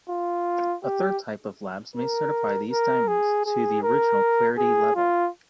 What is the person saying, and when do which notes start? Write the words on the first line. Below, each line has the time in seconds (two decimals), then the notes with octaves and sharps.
A third type of labs may certify these diamonds to the original clarity level.
0.09 F4
0.84 G4
1.96 A#4
2.71 A#4
3.08 G#4
3.45 G#4
3.83 A#4
4.58 G#4
4.95 F4